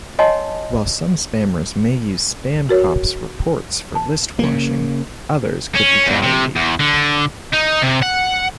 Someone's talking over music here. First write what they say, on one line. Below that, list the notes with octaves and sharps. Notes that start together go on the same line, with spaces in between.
While some spammers may use SpamCop's reports for listwashing, others could retaliate.
C#5 D#5 F#5 G#5 A5 C6
F#4 A#4 C#5
A5
C#3 A#3
C#4
E2
C3
E2
D3
D#4
C3
F#5